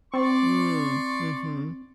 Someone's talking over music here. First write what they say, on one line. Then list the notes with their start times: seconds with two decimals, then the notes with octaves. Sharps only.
Mm, mhm.
0.14 C4 D5 C6 C#6